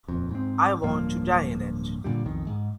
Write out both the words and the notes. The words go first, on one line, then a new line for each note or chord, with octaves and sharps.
I want to die in it.
D#1 F2
G#2 C4
D1 G2 F3 A#3
A#2 D3 G3
B1 F2 D#3
G#2